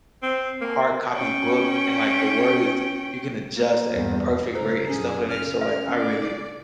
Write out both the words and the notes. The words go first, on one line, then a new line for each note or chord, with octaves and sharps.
hard copy book and, like, the words you can adjust at the perfect rate and stuff of that nature, so, like, I really
C4
A#3
C#4 G5
A#3
E2 G2
G2 C#3 A4 A#4 C5
B1 F#2 A#2 C#4 G#4
C#3 F6
E5 F6
D5